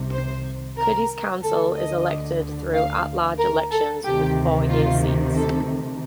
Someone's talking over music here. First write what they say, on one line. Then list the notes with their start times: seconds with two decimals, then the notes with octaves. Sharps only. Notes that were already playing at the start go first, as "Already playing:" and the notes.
Cudahy's council is elected through at-large elections with four-year seats.
Already playing: C2 C3 D#3
0.11 C5
0.77 A#4
1.42 D2 D3 A4
1.75 D#5
2.73 F5
3.38 A#4
3.71 A4
4.03 D2 C3 D#3 G4
4.69 F4
5.35 A4